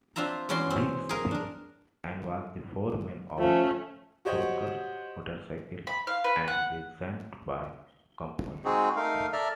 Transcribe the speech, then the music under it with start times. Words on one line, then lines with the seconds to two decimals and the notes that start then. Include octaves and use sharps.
Bigsby, and was the foreman of Crocker Motorcycles, and designed many components.
0.16 C4 D4 F4 E5 A#5
0.49 E2 G#3 C#4 F#4 D5 C6
0.70 C4
1.09 G#4 A#4
1.31 D4 A#4
3.39 F3 A3 C#4
4.25 F#4 G4 C5 C#5 D#5 F#5
5.87 B5
6.07 F5
6.24 B4
6.48 F#5
8.65 G#3 C4 D#4 F#4 G#4
8.96 A3 D#4 A#4 F5
9.33 A4 D5 E5 A#5 F6